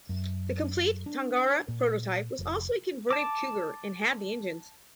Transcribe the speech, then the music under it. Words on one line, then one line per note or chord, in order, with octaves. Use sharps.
The complete Tangara prototype was also a converted Cougar and had the engines.
F#2
D4
A#2
F1
A5 D6